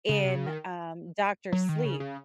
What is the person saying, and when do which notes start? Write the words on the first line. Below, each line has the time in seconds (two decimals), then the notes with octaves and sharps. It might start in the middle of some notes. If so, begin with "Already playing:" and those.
in, um, Doctor Sleep.
0.09 C#3
0.24 C3
0.35 C#3
0.46 D#3
1.52 F#3
1.69 D#3
1.85 C#3
2.00 C#3